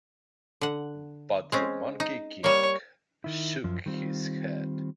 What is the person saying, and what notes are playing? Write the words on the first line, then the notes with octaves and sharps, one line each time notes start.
But the Monkey King shook his head.
D3 F#5
G#3 C4 C#4
D#4
G3 A#3 C#5
D#3 E4
F#2 F3
D#3 G3 C4 F4